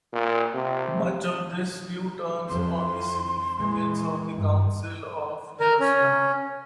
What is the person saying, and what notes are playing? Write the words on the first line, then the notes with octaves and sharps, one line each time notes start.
Much of this view turns on the significance of the Council of Jerusalem.
A#2
C3
F2 C6
A#2 E3 G#3
G2
A#4
C#4